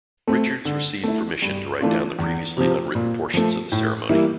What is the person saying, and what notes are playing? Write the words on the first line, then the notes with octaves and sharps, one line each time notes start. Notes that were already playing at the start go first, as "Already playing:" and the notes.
Richards received permission to write down the previously unwritten portions of the ceremony.
A3 C4
D3
A3 E4
G2
E3 A3 D4 F4
E2
C3 F3
A#2
F3 A3
A2
E3 G3 A#3 E4